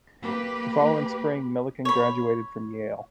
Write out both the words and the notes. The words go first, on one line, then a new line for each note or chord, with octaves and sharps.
The following spring, Milliken graduated from Yale.
A#3 G4 B4
C#5 B5